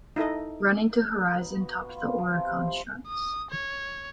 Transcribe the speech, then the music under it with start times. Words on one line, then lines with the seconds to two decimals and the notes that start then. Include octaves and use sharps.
"Running to Horizon" topped the Oricon charts.
0.16 D#4 E4 A4 D#5
1.36 B3 D#4
1.58 F#4
1.89 F4 B5
2.18 F3
2.35 C3 B5
2.67 C5
3.08 D#6
3.51 C#5